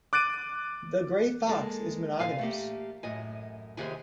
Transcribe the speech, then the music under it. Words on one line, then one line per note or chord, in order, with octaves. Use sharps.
The gray fox is monogamous.
D6 F#6 A6 D7 D#7
G#3 A#3 A4
A#2 D3 F#3 F5 G#5
A3 A#3 G4
F#2 A2 D#5 G#5
D#2 C3 D#3 G4 G#4 G#5